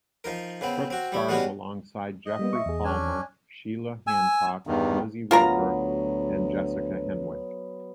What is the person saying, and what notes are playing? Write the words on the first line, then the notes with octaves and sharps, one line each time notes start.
Crook stars alongside Geoffrey Palmer, Sheila Hancock, Lizzie Roper and Jessica Henwick.
F3 D#4 A#4
C#3 B3 C4
C4 F#4
G3 E4
G3 G#3 B3 C#4 F#4
D#5
G3 A#3 B3
E5 C#6
E2 G#4
C#4 D4 G#5
G#5 E6
E2 G2 D#3
D2 F#3 B3 F4 A#4 A#5